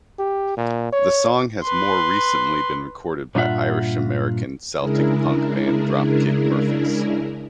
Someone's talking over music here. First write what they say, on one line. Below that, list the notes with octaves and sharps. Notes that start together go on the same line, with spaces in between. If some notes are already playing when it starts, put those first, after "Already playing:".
The song has more recently been recorded by Irish-American Celtic punk band Dropkick Murphys.
G4
A#2
C#5
B4 C6
G2 A#2 D4 F4 E5 F#5
C#3 G#3 D4 E4 G#4 A#4